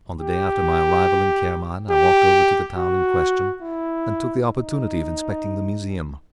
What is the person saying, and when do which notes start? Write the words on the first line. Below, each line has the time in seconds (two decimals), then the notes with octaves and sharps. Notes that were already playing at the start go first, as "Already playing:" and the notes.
On the day after my arrival in Caermaen I walked over to the town in question, and took the opportunity of inspecting the museum.
0.21 G4
1.91 G4
2.77 F#4
3.62 E4
4.48 D#4